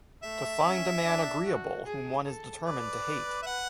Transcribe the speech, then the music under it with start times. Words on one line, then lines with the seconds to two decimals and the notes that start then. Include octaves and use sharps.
To find a man agreeable whom one is determined to hate!
0.23 A3 E5
0.64 C#4
1.04 D4
1.45 F#4
1.85 G#4
2.25 A4
2.66 B4 D5
3.43 E5
3.47 F#5